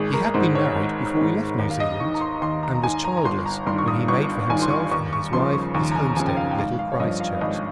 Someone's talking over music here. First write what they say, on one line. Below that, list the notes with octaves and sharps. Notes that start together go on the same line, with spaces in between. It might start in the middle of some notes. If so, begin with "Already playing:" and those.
He had been married before we left New Zealand, and was childless when he made for himself and his wife his homestead at Little Christchurch.
Already playing: G#1 G#4
A#4
A#4
G#2 D#3 C5
C#5
G#1
G#2 D#3
D#2
F5
D#5
D#3 C#6
A#5
C6
D#2 C6
A#5
A#5
D#3 G#5
A#5
A#5
G1 C6
A#5
G2 D#3 C6
C#6
D#6
G1 C#6
G2 D#3 G#5
C6
C#6
D#2 C#6
C#6
C#3 F3 C6
C#6
D#2 C#6
A#5
G#5
C#3 F3 G#5
G5
F5
G5
G#1 F5
F5
C#5
G2 F3 D#5
F5
G#1 D#5